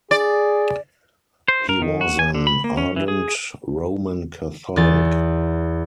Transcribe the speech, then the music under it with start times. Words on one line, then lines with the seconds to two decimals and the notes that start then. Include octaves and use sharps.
He was an ardent Roman Catholic.
0.11 G#4 D5
1.48 C5
1.69 A#4
1.82 D#3
2.01 F#4
2.19 G#5
2.35 D3
2.47 B5
2.64 A#3
2.77 C#4
2.96 E3
3.08 G#4
4.76 E2 A6